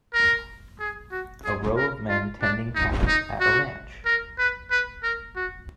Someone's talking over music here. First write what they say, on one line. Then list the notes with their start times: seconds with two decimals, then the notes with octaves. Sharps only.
A row of men tending cows at a ranch.
0.14 A#4
0.80 G#4
1.11 F#4
1.44 G#4
1.77 A#4
2.09 F4
2.42 D4
2.75 D#4
3.07 D#4
3.40 F#4
4.05 A#4
4.39 B4
4.71 B4
5.03 A#4
5.36 F#4